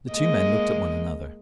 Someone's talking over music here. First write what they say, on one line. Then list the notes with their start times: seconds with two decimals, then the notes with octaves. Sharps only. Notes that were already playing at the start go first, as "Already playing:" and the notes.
The two men looked at one another.
0.11 G#3 A#3 D#5